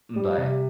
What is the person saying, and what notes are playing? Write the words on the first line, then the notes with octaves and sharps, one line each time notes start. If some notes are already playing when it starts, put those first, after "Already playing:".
Mm bye.
G3
C3